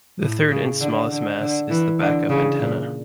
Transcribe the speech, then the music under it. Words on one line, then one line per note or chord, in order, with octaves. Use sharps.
The third and smallest mast is the backup antenna.
A2
C#3
D3
D3
D3
E3
D3
C#3
A#2